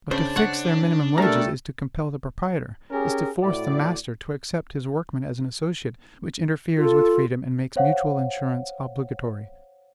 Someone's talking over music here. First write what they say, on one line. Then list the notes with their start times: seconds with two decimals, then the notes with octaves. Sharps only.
But to fix their minimum wages is to compel the proprietor, is to force the master to accept his workman as an associate, which interferes with freedom and makes mutual insurance obligatory.
0.11 C#3 D4 C5
0.36 C#5 F#5
1.18 G3 A3 A4 A#4 A#5
2.91 C#4 G4 G#4 A#4
3.42 A2 E4 F#4 D5
6.77 F4 A4
7.76 C5 C#5 F5 F#5